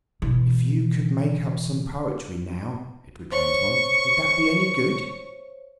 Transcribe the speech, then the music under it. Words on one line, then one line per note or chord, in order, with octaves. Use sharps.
"If you could make up some poetry now," Edred went on, "would that be any good?"
B2 E3
C5 C#5 C#6